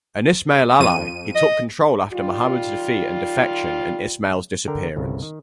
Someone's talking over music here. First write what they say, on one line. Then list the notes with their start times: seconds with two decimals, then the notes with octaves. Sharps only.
An Ismail ally, he took control after Muhammad's defeat and defection and Ismail's disappearance.
0.80 F2 D#7
1.35 D#5
2.12 D#3 G3 F4
4.68 D3 A#4 G5
4.96 G1 C2 C#3
5.22 D#3